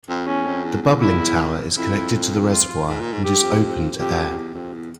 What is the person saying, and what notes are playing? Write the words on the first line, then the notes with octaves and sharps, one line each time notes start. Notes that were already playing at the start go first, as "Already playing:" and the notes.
The bubbling tower is connected to the reservoir and is open to air.
F2
E2 C#4
F2
E2
E2
E4
F2 E4
F4
G#2
A#2
G#2
G2 G4
F2
F2 G4
F2
E2
F2
E2